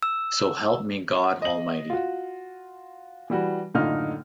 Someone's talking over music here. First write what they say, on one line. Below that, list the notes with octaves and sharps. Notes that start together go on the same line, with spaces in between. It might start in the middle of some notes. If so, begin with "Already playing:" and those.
So help me God almighty.
E6
D#5 F#7
F4 F#4
E3 G3 F#4
F#1 A2 D3 D#4 F4 F6